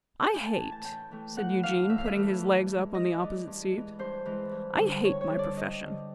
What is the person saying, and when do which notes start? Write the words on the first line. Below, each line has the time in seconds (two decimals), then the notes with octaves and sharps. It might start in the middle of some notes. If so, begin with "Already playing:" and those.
'I hate,' said Eugene, putting his legs up on the opposite seat, 'I hate my profession.'
0.23 G5
0.32 A2 G#5
0.46 A5
0.58 E3 A3 G#5
0.72 A5
0.84 A2 G5
1.11 E3 A3
1.36 A2 F#5
1.63 E3 A3 F5
1.89 A2 E5
1.98 F5
2.06 E5
2.16 E3 A3
2.42 G2
2.69 E3 G#3
2.94 G2 D#5
3.21 E3 G#3 D5
3.47 G2
3.73 E3 G#3
3.99 G2 C5
4.25 E3 G#3
4.51 G2
4.78 D3 G3
5.03 G2 C#5
5.21 C#5
5.30 D3 G3
5.39 D5
5.56 G2 D#5
5.82 D3 G3